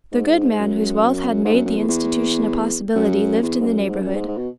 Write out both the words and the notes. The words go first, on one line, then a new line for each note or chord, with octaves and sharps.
The good man whose wealth had made the institution a possibility lived in the neighborhood.
G#2
F#2
G#2
F#2
F#2
E2
E2
F#2
E2
G#2
F#2
G#2
F#2
G#2
G#2
B2